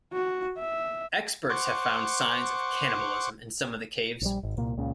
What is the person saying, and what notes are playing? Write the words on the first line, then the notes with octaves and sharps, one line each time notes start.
Experts have found signs of cannibalism in some of the caves.
F#4
E5
C5 F#5 C#6 D6
A#1 G3
G#1
C2 A#2 A#3
C#2 A#2 C#3